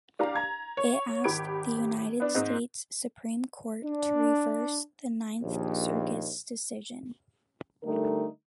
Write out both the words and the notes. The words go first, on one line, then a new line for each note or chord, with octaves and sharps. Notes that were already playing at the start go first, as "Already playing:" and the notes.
It asked the United States Supreme Court to reverse the Ninth Circuit's decision.
D4 G4 F5 A#5
A#5 G#6
C#5
G#1 G4 B5 G#6 D7
B3 D4
G#2 C4 D#4
D4
A#1 D#2
D3 G3 A3 D#4 A#4